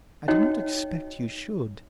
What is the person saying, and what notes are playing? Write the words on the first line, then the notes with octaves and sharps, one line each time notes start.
"I do not expect you should."
D#4 F#4 C#5 D#5 G5